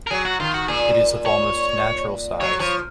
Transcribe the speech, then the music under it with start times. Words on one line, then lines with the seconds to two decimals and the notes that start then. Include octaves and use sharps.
It is of almost natural size.
0.07 A#4
0.10 F#3 G#4
0.25 F#4
0.40 D#3 F4
0.54 F#4
0.68 A#2 G#4
1.26 C#5
2.41 F#3 C#5
2.60 F3 C#5